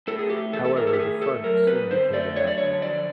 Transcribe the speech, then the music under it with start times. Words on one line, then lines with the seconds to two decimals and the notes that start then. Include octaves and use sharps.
However, the front soon became inactive.
0.08 A2 A4
0.19 G#4
0.30 A3 G4
0.53 E3 A4
0.65 A4
0.77 A2 A#4
0.87 A4
0.93 G4
0.99 D#3 G#4
1.22 A3 A4
1.44 F#3 A#4
1.67 C4 B4
1.90 D3 C5
2.13 A3 D5
2.36 F#3 C#5
2.47 D5
2.58 D3 C#5
2.82 F2 D5